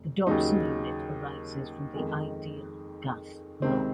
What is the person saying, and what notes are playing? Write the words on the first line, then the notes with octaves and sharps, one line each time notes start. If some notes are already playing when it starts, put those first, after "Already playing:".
The Dobson Unit arises from the ideal gas law.
Already playing: F1
D#2 C#3 F#3 D#4
F2 D#3 G#3
C#2 C3 D#3 C4